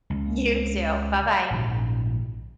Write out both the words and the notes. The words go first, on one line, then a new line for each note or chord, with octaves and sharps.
you too, bye-bye.
C#2
A#1 G#2 C#3